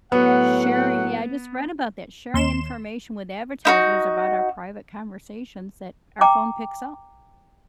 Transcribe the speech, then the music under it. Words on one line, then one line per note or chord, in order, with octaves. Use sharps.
sharing yeah, I just read about that, sharing information with advertisers about our private conversations that our phone picks up.
A2 F#3 B3 F#5
D#2 C6 E7
D#4 E4 F#4
G5 A#5 D6